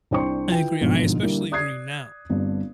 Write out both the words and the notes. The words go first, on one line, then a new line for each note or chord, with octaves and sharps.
I agree. I especially agree now.
C2 D4 C5 G5 C6 C#6
E4 F4 B4 G5
G1 D#2 G#2 B2 D3 F3
D3 G3 A#3 E4
D5 D#6 F#6 G#6 C7
G1 G2 C4 D4